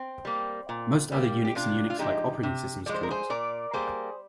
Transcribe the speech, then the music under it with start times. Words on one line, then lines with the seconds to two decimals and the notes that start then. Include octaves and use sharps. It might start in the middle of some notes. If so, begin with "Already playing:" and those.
Most other Unix and Unix-like operating systems cannot.
Already playing: C4
0.25 G3 A#3
0.69 A#2
1.12 G3 A#3
1.45 G4
1.55 C3 D4 F4
1.90 F4
1.99 F3 G#3 D#4 G4
2.43 C3
2.86 F3 D5
2.89 G#3
2.94 C5
3.03 A#4
3.11 G#4 C5
3.30 A#2 A#4 D5
3.73 G3 A#3 G#4 C5